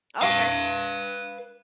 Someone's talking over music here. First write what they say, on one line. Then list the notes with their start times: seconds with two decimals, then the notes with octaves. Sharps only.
Oh, okay.
0.22 B4 F5